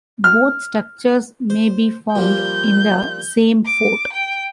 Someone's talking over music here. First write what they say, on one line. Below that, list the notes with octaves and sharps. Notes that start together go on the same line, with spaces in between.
Both structures may be found in the same fort.
F6
C5
A#2 F3 G3 G6
D6
G5